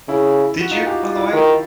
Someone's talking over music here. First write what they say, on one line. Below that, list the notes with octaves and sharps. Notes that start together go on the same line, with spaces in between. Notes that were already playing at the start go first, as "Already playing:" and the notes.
Did you, by the way?
C#3 E4
F#4
D#4 F4
F4 G4
F4
E4
D#3